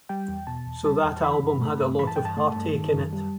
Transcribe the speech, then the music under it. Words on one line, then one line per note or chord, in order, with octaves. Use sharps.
So that album had a lot of heartache in it.
G3 G5
E2
B2 A5
E2
G3 A5
E2
E3 B5
G2
A3
G2
E3 B5
A5
G2 G5
A5
A3
G2
D#3
F#2
G3